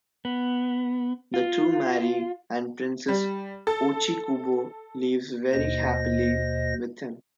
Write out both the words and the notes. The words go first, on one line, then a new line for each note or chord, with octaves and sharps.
The two marry and Princess Ochikubo lives very happily with him.
B3
F4
G3
A4
D#2 B2 C5 D#5 A#6